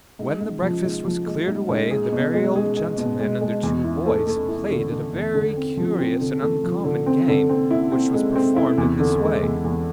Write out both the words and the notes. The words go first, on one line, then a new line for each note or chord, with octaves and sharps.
When the breakfast was cleared away; the merry old gentlman and the two boys played at a very curious and uncommon game, which was performed in this way.
G#2
G#2
F3
G#2
F3
G#3
G#2
G#2
G#4
B2
G#3
G#4
G#4
B2
G#3
G#3
E2
E4
A3
A3
E4
D3
D3
E2
D3
C4
F3
C4
D3
A3
F3
D3
C4
D3
C4
E4
C4
G#3
C4
E4
E2
D3
G#3
E2
E2